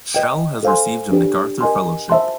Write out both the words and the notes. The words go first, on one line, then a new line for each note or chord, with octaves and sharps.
Shell has received a MacArthur Fellowship.
B4 D#5 G5
A4 C5 F5 G#5 C6
D4 G4 B4
A#4 D#5 G#5 C6
C5 E5 A5 C6